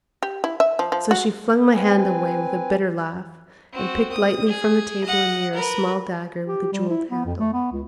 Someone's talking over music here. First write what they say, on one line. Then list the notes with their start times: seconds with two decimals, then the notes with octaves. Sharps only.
So she flung my hand away with a bitter laugh, and picked lightly from the table anear a small dagger with a jewelled handle.
0.23 G4
0.44 E4
0.60 E5
0.79 F3
0.92 F3
1.11 F#4
1.72 C4 B4 G#5
3.73 C4 F#4
4.12 D#6
4.46 G#4
5.04 D#5 F#5
5.54 A#4 B4
6.47 G4
6.73 G3
6.89 E4
7.10 B3
7.26 F2
7.39 A3
7.53 B3
7.72 C#2